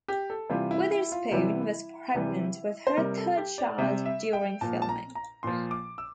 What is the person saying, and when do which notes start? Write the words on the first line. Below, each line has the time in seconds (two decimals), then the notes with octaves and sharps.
Witherspoon was pregnant with her third child during filming.
0.08 G4
0.30 A4
0.49 C3 E3 G3 F4
0.71 E4
0.91 E4
1.12 F4
1.31 C3 E3 G3 E4
2.15 C3 E3 G3
2.87 C5
2.97 C3 G3 A#4
3.18 A4
3.37 G4
3.58 D5
3.78 C3 G3 E5
4.06 E5
4.33 G5
4.61 A#2 F3 A5
4.82 A5
4.89 A#5
5.15 A#5
5.43 A#2 F3 C6
5.71 D6
5.98 E6